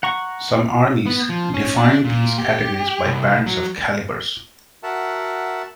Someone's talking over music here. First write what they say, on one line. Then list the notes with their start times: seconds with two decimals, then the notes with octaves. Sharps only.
Some armies defined these categories by bands of calibers.
0.03 F#5 A#5 C#6
1.06 B3
1.29 F3
1.54 C#4
1.77 D4
2.05 A#2
2.38 G4
3.06 C2
3.46 F#3
4.83 F#4 A#4 E5 F#5 A5